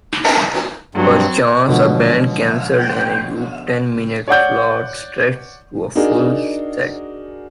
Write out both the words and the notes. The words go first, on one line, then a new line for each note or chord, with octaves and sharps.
Perchance a band cancelled and Ayub's ten-minute slot stretched to a full set.
G2 F#3 C4
B2 D3 F3 F#3 G#3 C#4
C#5 D5 F#5 G6
D4 D#4 F#4 G#4 A#4